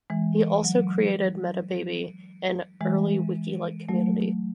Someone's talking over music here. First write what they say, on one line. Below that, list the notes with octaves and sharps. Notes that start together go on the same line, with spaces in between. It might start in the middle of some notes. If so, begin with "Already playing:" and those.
He also created Metababy, an early wiki-like community.
E3 G#3
F#3
E3 G#3
F#3 A3